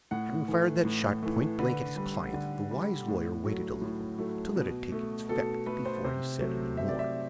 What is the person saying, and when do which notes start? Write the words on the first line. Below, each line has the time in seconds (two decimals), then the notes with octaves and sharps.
Having fired that shot pointblank at his client, the wise lawyer waited a little to let it take its effect before he said any more.
0.11 A2 F#5
0.48 E3 A3
0.85 A2
1.23 E3 A3
1.59 D3 B4
1.96 G3
2.33 D3
2.71 G3
3.08 A2
3.45 F#3 A3
3.82 A2
4.18 F#3 A3
4.56 B2
4.92 A3
5.29 B2 A4
5.66 A3 B4
5.86 C5
6.05 C3 C5
6.41 F#3 A3
6.77 C3 E5
6.88 D5
6.99 E5